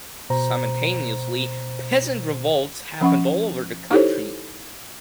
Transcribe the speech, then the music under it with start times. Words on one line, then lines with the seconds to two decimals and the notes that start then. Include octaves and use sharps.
Simultaneously, peasant revolts happened all over the country.
0.30 B2 C5 A#5
3.01 F3 C#4 F#5 C#6
3.91 D#4 E4 G4 A4 C5 C#5